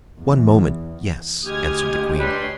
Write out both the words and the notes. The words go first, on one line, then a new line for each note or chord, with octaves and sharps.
"One moment, yes," answered the queen.
E2
D2 G#3 G4 D#6 F6 G#6
G3 D4 B4 C#5 C6